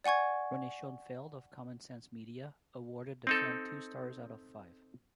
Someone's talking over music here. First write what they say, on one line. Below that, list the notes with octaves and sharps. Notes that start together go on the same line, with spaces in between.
Renee Schonfeld of Common Sense Media awarded the film two stars out of five.
D5 F#5 G#5 C#6 G#6
C4 D#4 A4